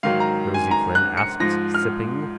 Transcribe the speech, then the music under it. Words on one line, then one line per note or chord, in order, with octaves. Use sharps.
Nosey Flynn asked, sipping.
G#2 D#3 F#3 F5
A#5
G#5
A#5
F#6
C#7
G#2 F3 A#6
F6